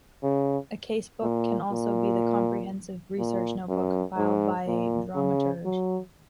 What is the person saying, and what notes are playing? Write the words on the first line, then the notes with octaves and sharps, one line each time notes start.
A casebook can also be the comprehensive research notebook compiled by a dramaturge.
C#3
A#2
A#2
A#2
F#2
G#2
A#2
C#3
F#3